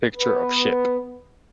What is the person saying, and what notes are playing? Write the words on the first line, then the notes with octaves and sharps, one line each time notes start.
Picture of ship.
B3